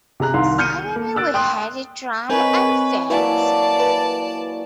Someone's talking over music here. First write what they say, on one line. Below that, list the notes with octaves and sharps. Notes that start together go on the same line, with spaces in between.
"Suddenly we heard a drum and fifes!".
C3 G#4 A#5 F#6
C2 D#3 F5 C6
F6 G6 C#7 D#7
A#3
E6 F#6 A6 D7
G5 C6 D#6 F#6
C4 A#4 B4 C#5 D#5 G#5
E3 F#3 A#3 B4 D5 A5
B4